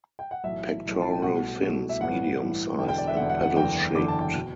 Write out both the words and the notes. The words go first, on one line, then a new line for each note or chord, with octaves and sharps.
Pectoral fins medium sized and paddle shaped.
G5
F#5
B1 A2 E3 E5
B1 A2 E3
A5
G5
C2 B2 A3 F#5
C2 B2 A3
E5
A1 G2 E3 F#5
A1 G2 E3
E1 E2 D3 G5
G5
D5
E5
E1 E2 D3 F#5
F#5
F#5
F#1 E2 D3 G5
F#1 E2 D3 D6
A5
G5
B2